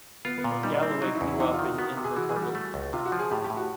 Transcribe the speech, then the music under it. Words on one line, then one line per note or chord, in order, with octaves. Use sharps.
Galloway grew up in Invercargill.
B3 F4
B3
A#2
B3
G3 D#4
D4
C4
E4
F#3 D#4
E4
E2
E4
C3 D#4
F4
D#3
F#4
B3 F#4
C3
G#4
E3 F#4
G#4
G3
F#4
A3
C#2
C3 F4
F#4
F3
G#4
A2 G4
G4
A2
F#4